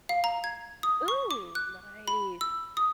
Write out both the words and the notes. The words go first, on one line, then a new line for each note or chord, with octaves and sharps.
Ooh, nice.
F5
A#5
G#6
D#6
C#6
D6
F#6
B5
E6
D#6